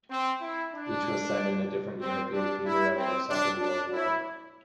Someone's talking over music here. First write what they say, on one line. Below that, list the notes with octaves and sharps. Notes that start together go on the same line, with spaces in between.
Each was set in a different European theatre of the Second World War.
C4
E4
D4
C4
D4
E4
C4
D4
D4
E4